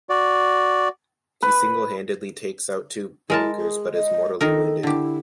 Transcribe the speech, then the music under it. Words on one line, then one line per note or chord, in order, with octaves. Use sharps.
He single-handedly takes out two bunkers but is mortally wounded.
F#4 D5
B4
G#3 E4 A#4 A5
G#4
D#5
D#3 D#4 A4 A#4
D3 E4 G4